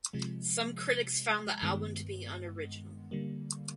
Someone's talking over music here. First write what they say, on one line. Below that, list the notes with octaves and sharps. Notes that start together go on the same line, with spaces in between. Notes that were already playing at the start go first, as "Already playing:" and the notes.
Some critics found the album to be unoriginal.
C3 F3 G#3
G2 D#3 G#3 B3
D3 G3 A#3